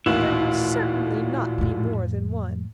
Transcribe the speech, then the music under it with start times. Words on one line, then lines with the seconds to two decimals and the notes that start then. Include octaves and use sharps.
There will certainly not be more than one.'
0.06 A1 D#2 A#2 E4 F#4
1.58 F2 A2